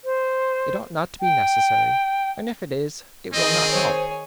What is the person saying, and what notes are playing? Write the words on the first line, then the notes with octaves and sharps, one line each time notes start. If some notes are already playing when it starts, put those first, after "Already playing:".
It ought not to be necessary; and if it is, it will not help.
C5
G5
D#3 C4 G#4 D#5
C5 C#5 G#5